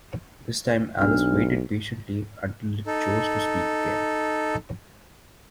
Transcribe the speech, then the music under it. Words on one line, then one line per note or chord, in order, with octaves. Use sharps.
This time Alice waited patiently until it chose to speak again.
B1 D4 F6
D#4 A4